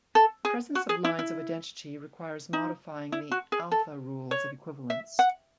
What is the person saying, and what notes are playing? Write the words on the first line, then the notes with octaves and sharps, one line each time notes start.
The presence of lines of identity requires modifying the "alpha" rules of Equivalence.
A4
G#4
F#4
G#4
E4
E4
D#4
E4
F#4
G#4
A4
C#5
E5
F#5